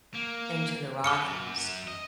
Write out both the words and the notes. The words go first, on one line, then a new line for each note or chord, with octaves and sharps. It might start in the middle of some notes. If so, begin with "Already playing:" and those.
into the Rockies,
A#3
F#2 D6 F6 C#7
D#5